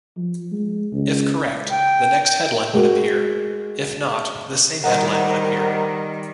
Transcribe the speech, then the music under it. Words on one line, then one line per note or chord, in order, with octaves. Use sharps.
If correct, the next headline would appear; if not, the same headline would appear.
F3
G#3
C#2
G5
G#3 F#4 A#4
D#3 G3 A#4 C5 D#5 F#5